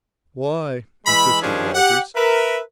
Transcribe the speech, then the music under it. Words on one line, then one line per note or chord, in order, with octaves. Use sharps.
"Why?" insisted Walters.
E3 G#3 E5 B5
D#3 F3 G3 C#4 D4 G#4
G4 F#5
A#4 B4 E5